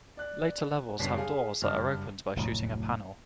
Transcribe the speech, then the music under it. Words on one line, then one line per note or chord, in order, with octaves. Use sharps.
Later levels have doors that are opened by shooting a panel.
D5 F#6
F#1 G2 B2 C#5 B6 C7
G#4 F5
F#1 G2 F6
F1 D2 A2 F#3